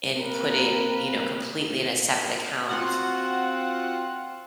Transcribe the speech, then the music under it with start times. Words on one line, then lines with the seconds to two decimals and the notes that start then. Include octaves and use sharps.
and put it, you know, completely in a separate account
0.16 A#3 C4 A#4 B4
2.69 C4 F4 F#4 F#5